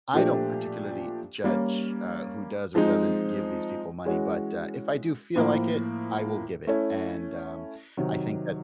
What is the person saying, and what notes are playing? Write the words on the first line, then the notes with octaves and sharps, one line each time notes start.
I don't particularly judge, uh, who does or doesn't give these people money, but, uh, if I do feel like it, I will give it, and, um, I think that
A#2 F3 A3 D4 G4
G3 A#3 C#4
F3 G#3 C4 D#4
E3 G#3 C#4 F#4
A2 F3 A#3
A3 C#4 E4
C3 D#3 F#3